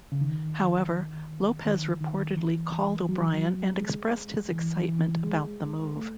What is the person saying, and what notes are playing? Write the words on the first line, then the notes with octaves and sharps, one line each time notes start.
However, Lopez reportedly called O'Brien and expressed his excitement about the move.
C#3
D#3
D#3
D#3
E3
F#3
E3
F#3
G#3
E3
E3
G#3
A3